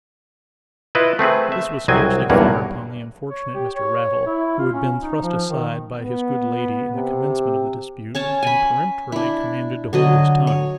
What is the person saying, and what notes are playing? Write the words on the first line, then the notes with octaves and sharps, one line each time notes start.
This was scarcely fair upon the unfortunate Mr. Raddle, who had been thrust aside by his good lady in the commencement of the dispute, and peremptorily commanded to hold his tongue.
E4 F4 B4 D#5
A3 C4 G#4 B4
E5
C2 F#3 C4 D#5 G#5
B1 E2 G2 A#3 C#5 F#5
C#5
G4
C#5
E4
F4
C#4
D#4
F3
D#3
B3
C3
C#4 C#5 A5
G#5 B5
D4 E4
D3 F#3 D#5
C#5